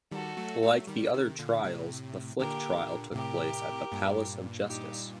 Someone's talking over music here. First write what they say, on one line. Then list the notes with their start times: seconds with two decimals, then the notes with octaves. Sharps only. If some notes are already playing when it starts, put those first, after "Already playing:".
Like the other trials, the Flick trial took place at the Palace of Justice.
0.11 D#3 G3 F#4 A4
0.37 F#3 A3
0.63 F#3 A3
0.87 D#3 G3
1.14 C3 D#3
1.39 A#2 D3
1.64 A2 C3
2.39 A#2 D3 G4 A#4
3.11 A#2
3.15 A2 C3 G4 A#4
3.92 G2 A#2
4.68 D#4 G4